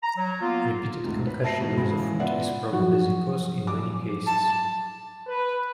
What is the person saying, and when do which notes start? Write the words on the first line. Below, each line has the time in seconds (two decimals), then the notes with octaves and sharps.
Repeated concussion of the foot is probably the cause in many cases.
0.03 A#5
0.18 F#3
0.42 A#3 B3 F4
1.04 D2 G#2
1.27 B4
1.43 E5 A5 A#6 C7
1.58 G#2 B2 E3
1.77 C#3 E3 G#3
2.20 B3 F4 D5 E5 F#5
2.73 F3 F#3 F#4
3.67 D6
4.26 A5
5.27 B4